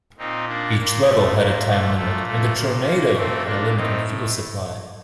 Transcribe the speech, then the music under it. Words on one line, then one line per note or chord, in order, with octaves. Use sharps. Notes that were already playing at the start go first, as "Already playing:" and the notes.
Each level had a time limit, and the Tornado had a limited fuel supply.
A#2 C4 D#4
A#3 D4
A#2 A#3
A3
A#2 A#3
A3
A#2 A3
A3
A#2
A#3
A#2 A3 C4
A#3 D4
A2 C4 D#4